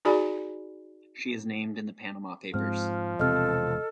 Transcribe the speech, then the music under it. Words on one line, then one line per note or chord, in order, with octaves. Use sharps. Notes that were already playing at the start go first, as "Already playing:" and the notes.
She is named in the Panama Papers.
D#4 F#4 G#4 D5 G#5 B5
G#2 F3 G#3 C4 F6
E1 C3 C4 A4 D#5 F6